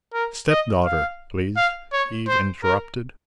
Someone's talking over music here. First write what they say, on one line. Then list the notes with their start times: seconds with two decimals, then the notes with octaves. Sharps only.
"Stepdaughter, please," Eve interrupted.
0.14 A#4
0.50 D#5
0.85 F5
1.56 F5
1.92 C#5
2.28 C5
2.63 A#4